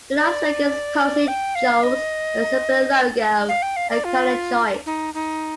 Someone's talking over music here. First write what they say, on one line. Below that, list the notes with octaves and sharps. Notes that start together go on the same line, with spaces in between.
The Las Vegas Posse chose a simpler logo and colour choice.
D5
G5
F5
D#5
F5
G5
F5
D5
F4
D#4
D#4